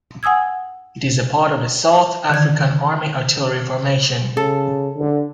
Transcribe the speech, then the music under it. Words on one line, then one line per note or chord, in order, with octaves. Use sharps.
It is part of the South African Army Artillery Formation.
F#5 G#5 D#6 E6 G#6
D3 D#3 G#6
C#3 A4
D3